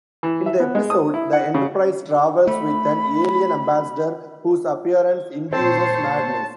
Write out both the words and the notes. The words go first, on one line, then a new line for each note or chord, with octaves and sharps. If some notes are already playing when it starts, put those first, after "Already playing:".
In the episode, the "Enterprise" travels with an alien ambassador whose appearance induces madness.
E3
E5
B3
G#3
D#6
E4
F#5
C#3
A3 B5
A#2 C4 C5 C#5 A5